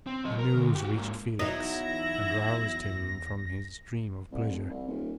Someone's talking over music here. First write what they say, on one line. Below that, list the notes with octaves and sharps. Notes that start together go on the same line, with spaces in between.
The news reached Felix and roused him from his dream of pleasure.
C4
F#3 D#5
A#4
D2
F#4 G4
G#2 A#3
E2 F#3 D#4 E4 A#6
C2
F1
C2
D#1